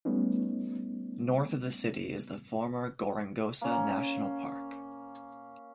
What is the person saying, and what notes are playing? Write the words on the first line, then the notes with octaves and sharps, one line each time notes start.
North of the city is the former Gorongosa national park.
G3 A3 B3 C#4 D#4
A#3 C#4